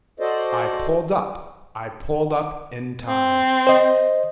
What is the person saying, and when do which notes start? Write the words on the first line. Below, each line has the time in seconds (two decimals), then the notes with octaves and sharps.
I pulled up; I pulled up in time.
0.20 F#4 A4 C5 D5 D#5
3.07 C4
3.67 C5 D#5